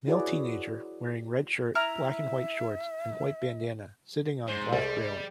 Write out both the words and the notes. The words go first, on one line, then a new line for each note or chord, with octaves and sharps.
Male teenager wearing red shirt, black and white shorts and white bandanna sitting on black railing.
E4 F#4 G#4 B4 C#5 D5
E4 E5 A#5 F6
G#2 G#3 C5
C2 G3 G#3